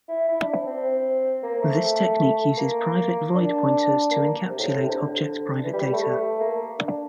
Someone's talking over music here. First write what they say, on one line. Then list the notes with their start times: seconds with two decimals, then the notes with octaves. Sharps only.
This technique uses private void pointers to encapsulate object private data.
0.08 E4
0.28 E4
0.41 D4
0.54 C4
0.67 C4
1.43 A#3
1.62 A3
2.57 A#3
3.35 D4
4.11 A#3
4.49 C3
4.59 A2
4.69 A2
4.78 C3
4.88 D3
5.64 E3
5.73 G3
5.83 G3
5.93 A3
6.40 A#3
6.79 D4